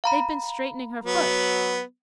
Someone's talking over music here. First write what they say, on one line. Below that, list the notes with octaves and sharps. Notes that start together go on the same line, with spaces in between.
They've been straightening her foot.
F5 A#5 B5
F#3 B3